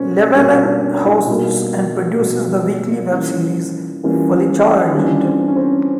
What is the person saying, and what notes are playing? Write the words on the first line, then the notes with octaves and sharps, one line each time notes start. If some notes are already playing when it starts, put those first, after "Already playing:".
Llewellyn hosts and produces the weekly webseries "Fully Charged".
Already playing: B2 G3 A#3 C4 C#4
B2 G3 A#3 C#4
D4
E4
B2 G3 A#3 D#4
B2 G3 A#3
E3 G3 A#3 C#4 F4
E3 G3 A#3 C#4 F4
E3 G3 A#3 C#4 D4 F4
C4
C#4
C4